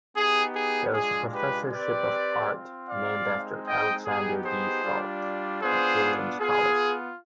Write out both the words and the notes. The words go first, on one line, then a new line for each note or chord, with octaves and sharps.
There is a professorship of art named after Alexander D. Falck at Williams College.
B3 D#4 G4 G#4
G#4
G#3 D4 F4 G#4
G4 B4
C4 G4 B4 D5
C4 F4
D5 F5
G#3 C4 D#4
D#5 G5
B3 D#4 G4 G#4
G#4 C5
G3 D4 F4
B3 D4 F4 G#4 C5
B3 F4 G#4